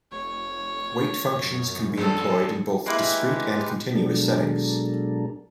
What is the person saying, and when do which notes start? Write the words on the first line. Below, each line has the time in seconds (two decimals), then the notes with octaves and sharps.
Weight functions can be employed in both discrete and continuous settings.
0.11 F1 C#5
1.35 F#2
1.97 A#1 G2 A4
2.86 G#3 A#3 E4 G4 B4 F#6
3.95 B2 F#3 G#3 D4 A4 A#4